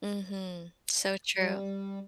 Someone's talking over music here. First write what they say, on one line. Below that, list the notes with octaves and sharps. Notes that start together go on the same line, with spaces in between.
Mhm, so true.
G3